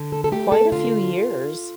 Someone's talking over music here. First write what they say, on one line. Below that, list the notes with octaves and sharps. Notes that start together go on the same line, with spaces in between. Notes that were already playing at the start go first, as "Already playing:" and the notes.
quite a few years,
Already playing: D3
A4
A4
A3 G4
A4
D3 F4